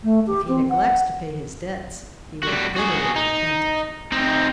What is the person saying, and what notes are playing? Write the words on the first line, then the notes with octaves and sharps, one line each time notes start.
If he neglects to pay his debts he will bitterly repent it.'
A3
G4
C4
F#5
G3 F#4
F#4 G#4
D#4
C4 D#4